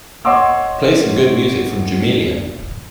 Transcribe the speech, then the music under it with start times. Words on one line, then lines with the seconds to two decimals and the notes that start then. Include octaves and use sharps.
Play some good music from Jamelia.
0.25 C#5 D#5 F#5 C6 D6 E6